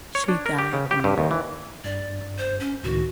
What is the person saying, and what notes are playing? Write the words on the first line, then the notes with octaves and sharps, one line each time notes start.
She died in Milan.
C#5
D4
A#4
G4
C#3
G4
G2
D#2
E3
G2 D5
C5
C#4
C#2 A2 D#3 F#4